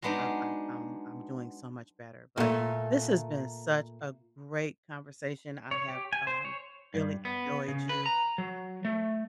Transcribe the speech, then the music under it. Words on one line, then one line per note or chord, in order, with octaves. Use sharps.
I've I've I'm I'm doing so much better." But, this has been such a great conversation, I have um, really enjoyed you.
F#3 G#3 B3 D4 D#4
A#2 A3
C#5
G4
G#5
C5
C#5
G2
B3
C#3
B4
A#5
F#3
A3